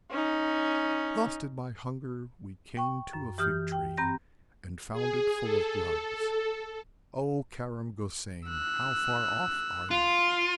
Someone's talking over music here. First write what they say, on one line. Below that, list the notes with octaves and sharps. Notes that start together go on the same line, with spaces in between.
"Exhausted by hunger we came to a fig-tree, And found it full of grubs, O Karam Gosain, how far off are you?"
C#4 D#4
G5 C#6
F#2
E3 G4 D#6 F6 G6
G5
G2 C4 A#5 G6 A#6
G#4
A4
E6 F#6
F4 C6